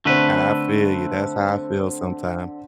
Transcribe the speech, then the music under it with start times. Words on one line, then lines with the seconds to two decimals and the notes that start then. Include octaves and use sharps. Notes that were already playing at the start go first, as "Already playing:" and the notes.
I feel you, that's how I feel sometimes.
0.05 D3 A3 C4 B4